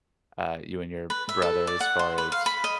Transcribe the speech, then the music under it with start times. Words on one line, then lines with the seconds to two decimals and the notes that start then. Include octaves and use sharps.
uh, you and your brother as far as
1.10 B4
1.29 E5
1.42 A4
1.67 D5
1.81 F#5
1.99 C5
2.18 B4
2.32 F5
2.46 B5
2.64 D#5